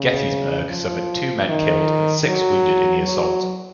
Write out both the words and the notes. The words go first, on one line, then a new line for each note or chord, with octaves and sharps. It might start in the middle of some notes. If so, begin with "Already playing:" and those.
"Gettysburg" suffered two men killed and six wounded in the assault.
Already playing: C#3
F3
D#3
F#3
F#3